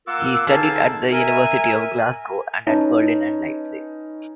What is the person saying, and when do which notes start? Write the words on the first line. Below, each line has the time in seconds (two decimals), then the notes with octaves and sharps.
He studied at the University of Glasgow and at Berlin and Leipzig.
0.07 A#3 F4 A#4 F#5 D6 E6
0.47 C#2 D3 D#4 F5 G#5 A5
1.11 A#4 E5 G#5
2.67 C#4 D#4 B4 A5